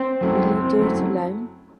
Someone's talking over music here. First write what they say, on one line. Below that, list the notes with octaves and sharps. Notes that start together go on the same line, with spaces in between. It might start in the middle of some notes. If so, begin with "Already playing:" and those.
Will you do it alone?
Already playing: C4
F#2 F#3 A3 E4
F#1
F#2 F#3 A3 E4